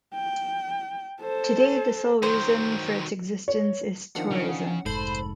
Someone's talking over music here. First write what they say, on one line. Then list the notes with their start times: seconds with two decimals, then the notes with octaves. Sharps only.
Today the sole reason for its existence is tourism.
0.15 G5
1.21 A4 C5
2.23 D#3 F#3 C5
3.48 C#5
4.15 D#3 F3 D4 F#5
4.31 C#3
4.86 F1 G#2 A4 C5 B5